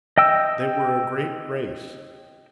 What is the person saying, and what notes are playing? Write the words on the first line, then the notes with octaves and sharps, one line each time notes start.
They were a great race.
D#5 G5 E6